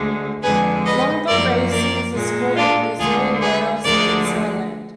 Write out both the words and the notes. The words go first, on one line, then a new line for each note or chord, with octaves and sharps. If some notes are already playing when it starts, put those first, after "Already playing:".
Longboat racing is a sport in Brazil, Laos and Thailand.
Already playing: D2 D3 G#3
F2 D3 G#3 G#4 B4
B4 D#5
F#2 F3 A#3 A#4 D5
A#4 D5
A#2 G#3
D4 F4
D2 D3 G#3 F4 G#4
G#4 B4
D2 D3 F3 G#3 A#4 D5